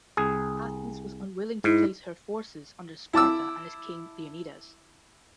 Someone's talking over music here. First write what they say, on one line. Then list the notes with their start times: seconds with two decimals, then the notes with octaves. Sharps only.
Athens was unwilling to place her forces under Sparta and its King Leonidas.
0.17 C2 G#4
1.64 G#2 E4
3.13 E4 A5 D6 E6